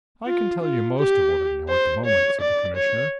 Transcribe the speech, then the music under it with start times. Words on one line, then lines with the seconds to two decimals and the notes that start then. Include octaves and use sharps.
"I can tell you most of what I know at the moment," said the Commissioner.
0.28 F4
0.64 F4
0.99 G4
1.70 C5
2.06 C#5
2.41 D5
2.77 C#5